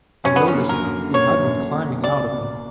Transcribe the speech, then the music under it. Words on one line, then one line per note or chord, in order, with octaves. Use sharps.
Unnoticed, we had been climbing out of them.
F#2 C#4
D3 B3
C#4
A#3
F#2 A#4
F#2
D3
A#3 C#5
F#2
F#2
D3
A#3
F#2
C#2 D5
B2
A#3